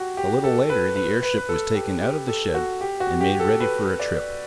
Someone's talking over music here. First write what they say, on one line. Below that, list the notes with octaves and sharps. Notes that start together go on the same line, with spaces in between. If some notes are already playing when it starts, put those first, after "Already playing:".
A little later the airship was taken out of the shed, and made ready for a trip.
Already playing: F#4 G4
G4
A4
B4
B4
B4
B4
A4
G4
G4
A4
F#4
G4
F#4
G4
A4
B4
D5